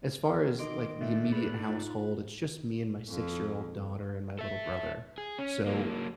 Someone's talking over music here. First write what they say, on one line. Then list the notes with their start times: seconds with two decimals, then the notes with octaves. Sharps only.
as far as, like, the immediate household, it's just me and my six-year-old daughter and my little brother. So,
0.25 A#4
0.59 D#3 D#5 C6 D6 D7
1.01 A2 A3 D4 E5
1.33 B3 G#4 B4 B5
1.66 D#4 F4
3.09 F2
4.39 A4 E5
5.18 G#4
5.39 C#4
5.66 F#3 A#3